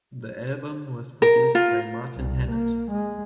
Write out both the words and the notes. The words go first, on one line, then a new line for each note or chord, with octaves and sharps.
The album was produced by Martin Hannett.
A#4
F4
C2
A#3
G#3